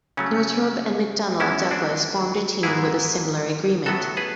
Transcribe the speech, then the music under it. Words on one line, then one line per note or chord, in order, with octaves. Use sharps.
Northrop and McDonnell Douglas formed a team with a similar agreement.
C#3 F#3 A3 C#4
F#2 E3 G#3 B3 C#4 E4
D4 F#4
G#2 E3 G#3 B3 E4 G#4
A2 F#3 B3 F#4 A4
G#4 B4